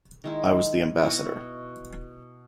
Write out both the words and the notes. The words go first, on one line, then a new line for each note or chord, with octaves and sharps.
I was the ambassador.
D#3 G#3 E4
B2 E4 F#4